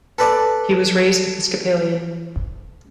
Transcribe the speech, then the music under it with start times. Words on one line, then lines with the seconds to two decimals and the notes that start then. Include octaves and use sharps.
He was raised Episcopalian.
0.19 A4 B4 D5